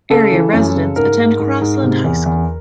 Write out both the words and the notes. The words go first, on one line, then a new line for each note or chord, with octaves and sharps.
Area residents attend Crossland High School.
C#3 A4
E3
F#2
C#3
G#2 A#4
G#2
G#2
G#2
C3
E2
E2